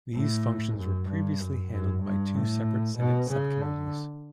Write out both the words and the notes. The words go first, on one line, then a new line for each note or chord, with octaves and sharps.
These functions were previously handled by two separate Senate subcommittees.
A2
F#2
G2
F#2
F#2
G2
A2
B2
C#3
D3